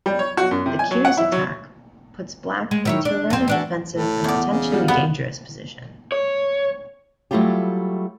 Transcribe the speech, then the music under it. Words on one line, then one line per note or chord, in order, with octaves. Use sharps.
The Keres Attack puts Black into a rather defensive and potentially dangerous position.
G3
C#5
F#4
F#2
C3
G#5
F#3
F#5
E4
F#3
G#3
D#3 E4 C#5
D4
F2 C4
E3 D4 F#4
A2
E2 D5
C#3
G3 F4 F#4
F2 B3
C#5
F#3 G3 A3 E4 F4 G4